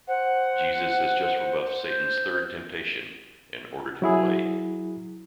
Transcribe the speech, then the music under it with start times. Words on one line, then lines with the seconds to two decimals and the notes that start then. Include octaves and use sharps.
Jesus has just rebuffed Satan's third temptation and ordered him away.
0.08 C5 F#5
1.89 G6
4.02 F#3 E4 G#4